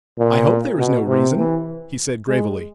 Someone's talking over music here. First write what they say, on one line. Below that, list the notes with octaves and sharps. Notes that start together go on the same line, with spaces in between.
"I hope there is no reason," he said gravely.
A#2
B2
C3
E3
G#3